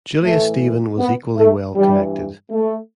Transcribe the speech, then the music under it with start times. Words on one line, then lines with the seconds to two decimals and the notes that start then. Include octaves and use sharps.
Julia Stephen was equally well connected.
0.22 A2 E3 A3
0.98 B3
1.37 A3
1.74 G2 E3 G3
2.51 A3